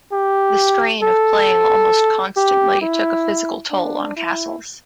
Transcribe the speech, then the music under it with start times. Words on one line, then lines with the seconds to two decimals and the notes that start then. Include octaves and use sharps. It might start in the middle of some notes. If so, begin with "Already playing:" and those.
The strain of playing almost constantly took a physical toll on Casals.
0.12 G4
1.03 A4
2.37 G4
2.82 E4
3.71 D4
4.16 E4